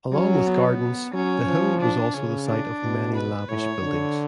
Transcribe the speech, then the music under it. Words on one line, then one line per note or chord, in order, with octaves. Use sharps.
Along with gardens, the hill was also the site of many lavish buildings.
F#3 C#4
B3
F#3 C#4
F3
D4
C#3 C#4
D4
B2
B4
A2 C#5
D3